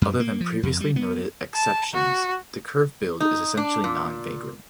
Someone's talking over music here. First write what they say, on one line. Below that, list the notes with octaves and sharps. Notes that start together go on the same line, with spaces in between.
Other than previously noted exceptions, the curve-billed is essentially non-vagrant.
F#2
A#3
F3
F2
G3
B3
A5
F#4
D#4
D4
A#2